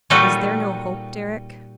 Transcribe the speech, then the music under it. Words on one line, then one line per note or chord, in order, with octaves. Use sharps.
"Is there no hope, Deryck?"
A#2 G3 D#4 F4 F#4 A4